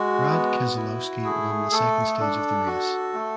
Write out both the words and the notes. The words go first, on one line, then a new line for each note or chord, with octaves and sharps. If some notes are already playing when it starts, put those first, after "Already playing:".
Brad Keselowski won the second stage of the race.
Already playing: G#3 F#4
B3
E4
A3 G#4
A3 A4
D4 A4
F#4
A3